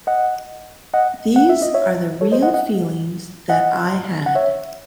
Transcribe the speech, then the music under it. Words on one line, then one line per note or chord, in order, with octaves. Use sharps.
These are the real feelings that I had.
D#5 F#5
D#5 F#5
F#5
E5
D#5
C#5 E5
A4 C#5
C5 D#5
D#5 F#5
D#5 F#5
D#5 F#5
F#5
C#5 E5